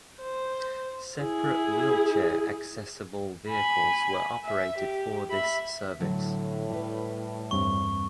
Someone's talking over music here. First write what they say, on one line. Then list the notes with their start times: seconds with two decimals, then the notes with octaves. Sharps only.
Separate wheelchair accessible vehicles were operated for this service.
0.19 C5
1.21 E4 G#4
3.49 G#5 B5
4.44 E5
4.79 G4
5.30 E5 B5
6.00 A2 D3 F#3
6.69 G3 B4
7.51 E2 G2 C4 C#6